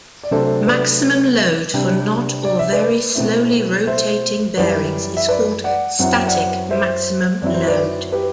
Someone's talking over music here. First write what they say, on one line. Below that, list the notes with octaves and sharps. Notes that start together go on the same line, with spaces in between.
Maximum load for not or very slowly rotating bearings is called "static" maximum load.
D5
C3 F#3 A3 D4 A4 C5
B4 D5
C3 G3 D4
D5
E5
B4 D5
B2 A3 C4 E4
C5 E5
F#2 E3 G3 B4 D5
E5
B4 D5
D5 F#5
F#2 F#3 C4 E4 F#5
G5
D5 F#5
C5 E5
F#2 F#3 C4 E4 D5
C5
B4 D5
G4 B4